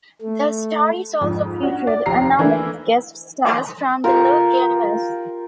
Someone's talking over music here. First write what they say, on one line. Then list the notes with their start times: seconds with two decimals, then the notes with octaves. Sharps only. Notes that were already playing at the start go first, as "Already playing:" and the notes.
The stories also featured a number of guest-stars from the Lug universe.
0.22 A3
1.21 F2 G#2
1.63 C#4 D4 F#4
1.87 D5
2.06 F1 D#2 G4 A#5 C7
2.39 E3 A3 A#3 D4 E4
4.04 F4 G4 A#4